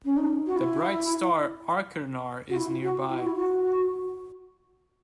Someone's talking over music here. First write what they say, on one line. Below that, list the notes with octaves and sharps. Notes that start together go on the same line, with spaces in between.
The bright star Achernar is nearby.
C#4
D#4
F#4
E4
F#4
E4
F#4
E4
F#4
E4
F#4